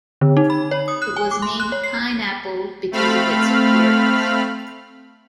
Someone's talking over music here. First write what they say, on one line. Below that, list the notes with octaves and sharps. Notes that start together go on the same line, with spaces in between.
It was named "Pineapple" because of its appearance.
D3
D#4
B5
C#5
D#6
F#6
G#5
D6
C6
F#6
C#5
C7
A3 C4 F5 B5 F6